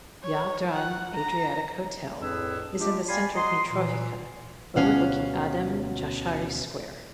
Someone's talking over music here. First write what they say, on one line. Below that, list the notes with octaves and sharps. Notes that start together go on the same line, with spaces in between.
Jadran Adriatic Hotel is in the center of Mitrovica overlooking Adem Jashari Square.
C#5
F#5
A#5
F2 A2 D4 G#4 B4 E6
G#3 D4 F4 G4
D5 F5 G5 G#5 B5 C6
F#4 D#5 A#5 C6
A#2 E3
D2 B2 C#4 F5 F#5